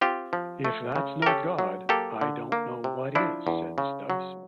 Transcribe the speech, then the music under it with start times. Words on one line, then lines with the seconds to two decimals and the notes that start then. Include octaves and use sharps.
If that's not God, I don't know what is, said Stubbs.
0.01 C4 F4 G4
0.33 F3
0.65 A3
0.96 C#3
1.22 A#4
1.26 C#4 G4 A4
1.59 F#3
1.89 A#3 G4 A4
2.21 D3
2.52 A#3
2.84 C3
3.15 F3 D4 E4
3.47 E2
3.78 C#3
4.10 F#3